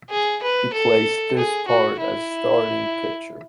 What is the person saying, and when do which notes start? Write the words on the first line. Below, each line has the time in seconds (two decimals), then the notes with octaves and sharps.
He plays this part as starting pitcher.
0.10 G#4
0.42 B4
0.73 A4
1.37 G#4
1.68 F#4
2.00 E4